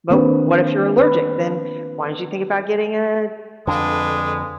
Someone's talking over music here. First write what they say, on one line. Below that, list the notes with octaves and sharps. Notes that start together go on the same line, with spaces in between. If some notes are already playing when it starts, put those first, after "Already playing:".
but what if you're allergic, then why don't you think about getting a
D#3 A#3 C4 D4 B4
B4
F2 D3 G#3 D4 B4